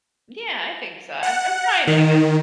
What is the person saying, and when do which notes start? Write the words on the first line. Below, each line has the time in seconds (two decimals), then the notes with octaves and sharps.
Yeah, I think so, I'm I'm trying anyways.
1.23 F#5
1.87 D#3